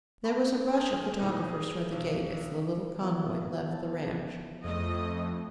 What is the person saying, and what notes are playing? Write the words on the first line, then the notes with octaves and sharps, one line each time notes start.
There was a rush of photographers towards the gate as the little convoy left the ranch.
A5 B5 C#6
C5 G#5 A5 C#6 D#6 F6
D#1 A#2 D#3 D#4 E4 B4
G#4 B4 D#6
B1
F3 B3 E4
A5
F2 A3 D#5